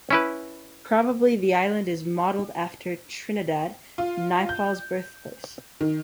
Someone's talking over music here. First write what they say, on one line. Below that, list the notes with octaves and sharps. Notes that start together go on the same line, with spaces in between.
Probably the island is modeled after Trinidad, Naipaul's birthplace.
C#4 E4 B4
F4
G6
D#3